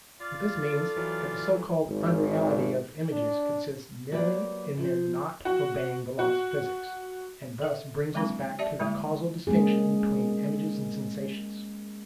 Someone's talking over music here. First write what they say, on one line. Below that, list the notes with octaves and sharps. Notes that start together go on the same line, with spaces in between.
But this means that the so-called "unreality" of images consists merely in their not obeying the laws of physics, and thus brings us back to the causal distinction between images and sensations.
F4 D5 F5
A4
E3 F#3
G#1
D4
F#3 A#3 B3 G4 B4 D5
F3 C5
F#4
F#4
A4 E5
F#3 G#3 A#3 C4 D4 E4
G4 D5 E5 A5
D3 G3 G#3 A#3 E4
G#3 A#3 C#4 G#4